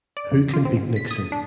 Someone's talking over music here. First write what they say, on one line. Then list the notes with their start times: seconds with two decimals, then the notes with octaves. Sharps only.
Who Can Beat Nixon?
0.17 D5
0.31 F2
0.53 F4
0.65 C4
0.77 G#2
0.96 B6
1.11 D#6
1.32 D4